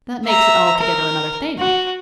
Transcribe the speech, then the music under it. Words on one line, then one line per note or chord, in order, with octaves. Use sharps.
That makes it altogether another thing.
E5 A#5
A#4
F#4